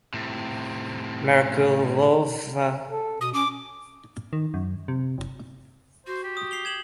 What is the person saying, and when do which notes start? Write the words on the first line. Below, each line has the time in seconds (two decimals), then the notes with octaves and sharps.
Merkulovka is the nearest rural locality.
0.14 A2 C3
2.89 A4
3.21 B2 D#6
3.34 C#4 D6
4.33 D#3
4.54 F#2
4.88 C3
5.18 F#1
6.07 F#4 C5
6.24 G4
6.37 D#6
6.51 C7 F7 G7
6.65 G#6 E7 F#7